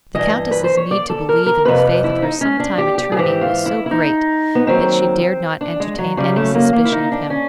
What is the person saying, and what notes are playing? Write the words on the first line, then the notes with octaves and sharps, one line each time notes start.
The Countess's need to believe in the faith of her sometime attorney was so great, that she dared not entertain any suspicion of him.
G2 E3 D#5
B4
C5
C#5
D5
A4
A#4
A#4
F2 C3 F3 B4
E4
D#4
C#4
D4
G4
G4
G#4
G#2 E3 G4
F4
E4
E4
D#4
B3
D#2 D#3 F#3 C4
D4
G#3
F#3
F#2 C#3 F#3 G3
A3
A#3
A#3
E4
D#4
D4
C#4